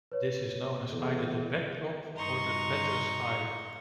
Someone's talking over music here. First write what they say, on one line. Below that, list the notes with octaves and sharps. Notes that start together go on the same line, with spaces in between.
This is known as either the "Backdrop" or the Batter's eye.
B4 C#5
E2 A4
G2 D#4 A#5 C6 C#6